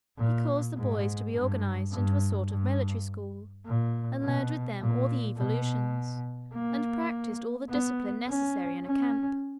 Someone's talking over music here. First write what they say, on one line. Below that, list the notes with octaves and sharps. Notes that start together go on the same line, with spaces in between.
He caused the boys to be organized into a sort of military school, and learned with them all the evolutions, and practiced all the discipline necessary in a camp.
A#2
G#2
G2
G2
G2
A#2
B2
A#2
B2
A#3
B3
C#4
C#4